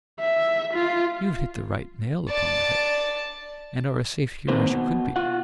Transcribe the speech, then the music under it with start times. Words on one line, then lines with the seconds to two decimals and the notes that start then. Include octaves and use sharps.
You've hit the right nail upon the head, and are as safe here as you could be.
0.20 E5
0.74 F4
2.30 D5 A5
4.48 D#3 A#3 C4 B4 C5
4.70 B2
5.16 F4 F#5